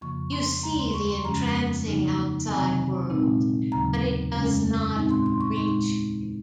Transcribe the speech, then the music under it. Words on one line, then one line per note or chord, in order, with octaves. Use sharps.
You see the entrancing outside world, but it does not reach you.
F2 C#3 F3 A#3 C#6
C6
D#2 C#3 G#3 A#5
C6
C#6
C6
F2 C#3 F3 G#3 C#4 A#5
C#3 F3 A#3 D#4
C3 D#3 F#3 C4 G#5
A#2 G#3 C4 D#4
D#2 C#3 F#3 A#5
F2 C#3 G#3 C#4
A#2 G#3 C4 D#4
C6
C6
C#6
A#2 G#3 D#4 C6